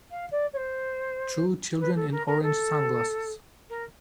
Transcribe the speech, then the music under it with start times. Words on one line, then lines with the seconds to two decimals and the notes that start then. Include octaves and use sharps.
Two children in orange sunglasses.
0.10 F5
0.31 D5
0.53 C#5
0.56 C5
1.79 B4
1.95 A4
2.11 A#4
2.27 A#4
2.42 A4
3.69 A#4